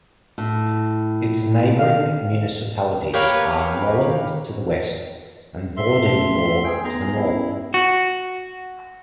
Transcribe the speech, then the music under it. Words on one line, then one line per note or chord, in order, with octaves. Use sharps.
Its neighboring municipalities are Lolland to the west and Vordingborg to the north.
A2
F5
A#3 G4 A#4 B4 C#5 F5
E5 C6
A3 C#4 A5
G#4 G5
B3 D#4 G#4 B4 A#5
B3 C#4 E4 D#5
F#4